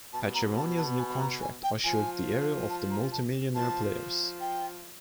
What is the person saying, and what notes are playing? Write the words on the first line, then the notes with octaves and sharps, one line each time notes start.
Patrimonio's new contract ushered the era of the multi-millionaire players.
B2 A5
A#5
A5
A5
G#5
A#5
G#5
G5
F3 G#5
A5
A#5
A5
F3 A5
G5